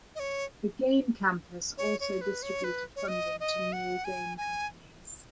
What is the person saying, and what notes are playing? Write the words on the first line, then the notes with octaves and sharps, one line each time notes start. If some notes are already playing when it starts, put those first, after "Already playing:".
The game campus also distributed funding to new game companies.
D#5
C#5
C#5
C#5
B4
C#5
B4
C#5
D#5
D#5
F#5
G#5
G#5